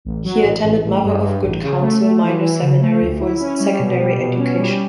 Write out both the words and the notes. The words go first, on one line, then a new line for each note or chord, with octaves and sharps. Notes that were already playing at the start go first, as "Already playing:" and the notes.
He attended Mother of Good Counsel Minor Seminary for his secondary education.
A1
F#3
A1
A1
A1
G2
G2
A1
C#3
A3
A3
E3
E3
C#3
A3
D2
E4
C#4
G3
B2
G3
B2
C#4
G3